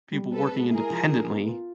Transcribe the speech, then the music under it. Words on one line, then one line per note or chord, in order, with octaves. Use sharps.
people working independently,
G3
C4 A4 B4
G#3
E4 G#4 A#4
F3
D4
B3
F4